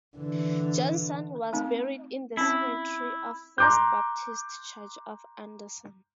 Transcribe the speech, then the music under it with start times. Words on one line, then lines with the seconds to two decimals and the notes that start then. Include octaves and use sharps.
Johnson was buried in the cemetery of First Baptist Church of Anderson.
0.17 D3 E3
1.53 A3 C4 D#4
2.37 C4 C#4 E4
3.58 A#5 C6 D6 F#6 G6